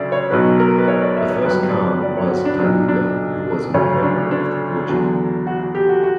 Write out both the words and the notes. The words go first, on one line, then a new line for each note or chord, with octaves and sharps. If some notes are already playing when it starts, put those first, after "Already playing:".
The first Khan was Taibuga, who was a member of the Borjigin.
Already playing: D2 C#3 F#3 D5 E5
C#5
B1 B2 F#3 B4
A#4
B4
C#5
D5
E5
C#5
G1 G2 F#3 B4
D5
C#5
D5
C#5
F#4
D4
B1 A#2 F#3 D4
D4
D2 C#3 F#3 C#4
D4
D4
E2 D3 F#3
F#4
F#4
G4
F#4
F#4